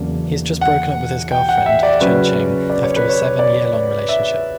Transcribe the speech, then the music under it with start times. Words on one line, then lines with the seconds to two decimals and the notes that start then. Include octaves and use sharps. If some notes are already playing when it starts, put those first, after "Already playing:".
He has just broken up with his girlfriend, Chun Ching, after a seven-year-long relationship.
Already playing: E2 C#3 F#3 A#3 D4
0.61 F#5
1.31 G5
1.49 F#5
1.66 E5
1.83 D5
2.01 C#3 F#3 C#4 B4
2.70 D5
2.83 C#5
2.96 B4
3.09 C#5
3.39 D5
4.09 E5